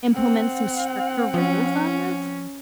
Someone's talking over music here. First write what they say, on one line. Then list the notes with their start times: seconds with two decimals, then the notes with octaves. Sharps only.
implement some stricter rules on this?
0.14 C4 F#5
1.34 F3 C#4